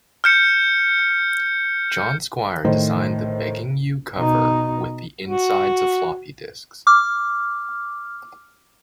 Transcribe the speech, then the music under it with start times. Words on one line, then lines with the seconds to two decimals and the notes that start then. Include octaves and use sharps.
John Squire designed the "Begging You" cover with the insides of floppy disks.
0.24 F6 G6 C#7
2.65 A2 D#3 C5
4.16 B2 D#4
5.24 F#4
6.87 D6 F6